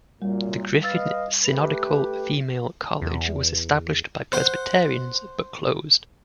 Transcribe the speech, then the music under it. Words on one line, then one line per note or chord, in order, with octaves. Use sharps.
The Griffin Synodical Female College was established by Presbyterians but closed.
F#2 A#2 G3
B4 D#5 F5 E6 A6
A3 G4 B4
E2
C5 F#5